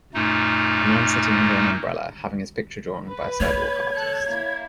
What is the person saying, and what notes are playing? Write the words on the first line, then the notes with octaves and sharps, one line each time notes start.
A man sitting under an umbrella, having his picture drawn by a sidewalk artist.
F#2 A#2 A3 D#4
B4
A#3 C#5 G#6
A4 F#6
A#3 E4